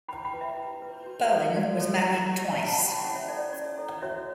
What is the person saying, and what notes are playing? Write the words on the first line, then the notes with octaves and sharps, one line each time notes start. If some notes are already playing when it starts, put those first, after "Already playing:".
Bowen was married twice.
E4 G5 B5
G5 B5
B4
E5 G5
E4
B4
F#4
A4 C#5
F#4 D5
A4 C#5
E4
G4 C#5
E4
F#5 A5
G4 C#5 G5 B5
G5 B5
C#4 F#5 A5
C#5 E5
E4 A4 C#5 D5
C#5
C#4 D5
E4 A4 C#5
F#4 C#5 E5